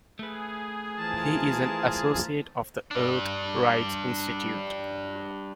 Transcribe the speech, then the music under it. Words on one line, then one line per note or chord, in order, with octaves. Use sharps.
He is an associate of the Earth Rights Institute.
A3 G#4 B4
E3 F3 A#4 A5
G3 D4